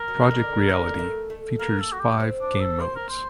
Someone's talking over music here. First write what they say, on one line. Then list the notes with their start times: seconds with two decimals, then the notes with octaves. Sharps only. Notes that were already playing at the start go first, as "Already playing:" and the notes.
"Project Reality" features five game modes.
Already playing: A#4
0.08 F#3
0.23 D3
0.31 D#3
0.39 D3
0.69 D3
0.95 A#3
0.99 A3
1.30 A3
1.59 A#3 A#4
1.79 A4
1.92 F#4
2.00 G4
2.20 C4
2.41 D4
2.60 A4
2.80 A#3 C5
2.95 A#4
3.09 C5